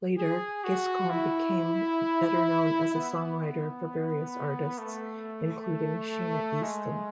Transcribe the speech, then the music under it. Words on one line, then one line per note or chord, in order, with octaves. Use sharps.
Later Giscombe became better known as a songwriter for various artists, including Sheena Easton.
G#4
F#4
E4
B3
A3
G#3